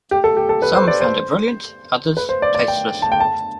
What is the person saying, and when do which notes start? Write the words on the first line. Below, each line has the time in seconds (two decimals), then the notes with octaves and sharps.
Some found it brilliant; others, tasteless.
0.11 G4
0.24 A4
0.37 G4
0.49 A4
0.62 B4
0.75 C5
0.88 D5
1.00 C5
2.17 B4
2.29 C5
2.42 D5
2.55 D5
2.68 G5
3.02 A5
3.12 G5
3.20 A5